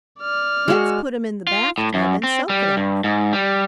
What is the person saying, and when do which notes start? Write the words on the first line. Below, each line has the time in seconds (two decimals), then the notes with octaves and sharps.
"Let's put him in the bath tub and soak it off."
0.20 D5 F6
0.68 G#3 F#4
1.47 F4
1.78 A2
1.94 F#2
2.23 C4
2.50 G3
2.77 G2
3.04 G#2
3.33 G3